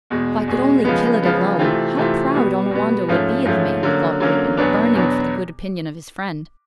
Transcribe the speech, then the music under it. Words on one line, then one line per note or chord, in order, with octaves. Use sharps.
"If I could only kill it alone, how proud Onawandah would be of me," thought Reuben, burning for the good opinion of his friend.
E2 B2 G#3
E2 B2 G#3
C#3 F3 G#3 B3
C#3 F3 G#3 B3
C3 E3 A3 C4 F4
C3 E3 A3 C4 F4
B2 G3 B3
B2 G3 B3
G#2 F3 A3 C#4
G#2 F3 A3 C#4
D3 F#3 A#3 C#4
D3 F#3 A#3 C#4
E2 B2 F#3 B3 D4
E2 B2 F#3 B3 D4